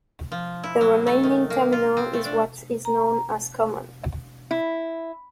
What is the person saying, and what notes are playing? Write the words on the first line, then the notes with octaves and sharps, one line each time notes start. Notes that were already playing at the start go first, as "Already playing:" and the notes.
The remaining terminal is what is known as "common".
F3
E4
F#3
A3
D#3
A#3
F4
C4
A3
D4
A#5
E4